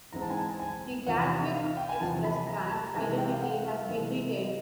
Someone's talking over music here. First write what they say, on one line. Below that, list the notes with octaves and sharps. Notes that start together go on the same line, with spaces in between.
The Gatwick Express brand identity has been retained.
G#2 E3 G#3 C4 A#5
A5
G#5
A5
G#5
E2 C3 F3 F#5
E5
F5
G5
G#5
E2 C3 F3 A5
B5
A#5
A#5
A5
C3 E3 G#3 G#5
G5
F5
F#5
F5
C3 E3 G#3 E5
D#5